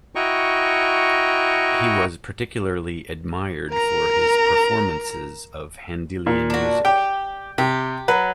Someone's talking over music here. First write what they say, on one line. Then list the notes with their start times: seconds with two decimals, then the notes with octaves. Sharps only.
He was particularly admired for his performances of Handelian music.
0.15 E4 F#4 D#5 G5 A#5 C#6
3.71 A#4 A#5
6.27 A#2
6.50 D4 F#4
6.85 G4 G5
7.58 C3 G4
8.08 F#3 B4